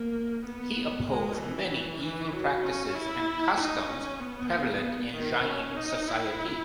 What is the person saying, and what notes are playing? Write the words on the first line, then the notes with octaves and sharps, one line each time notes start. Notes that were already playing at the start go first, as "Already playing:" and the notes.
He opposed many evil practices and customs prevalent in Jain society.
Already playing: A#3
B3
G#3
E3
E3
F#3
C#4
E4
D#4
C#4
B3
D#3
C#4
D#4
E4